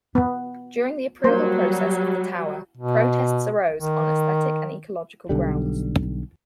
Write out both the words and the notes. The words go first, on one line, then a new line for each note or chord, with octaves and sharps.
During the approval process of the tower, protests arose on aesthetic and ecological grounds.
B3
F#3 G3 A#3 C5
B2
D#3
B1 D3 G3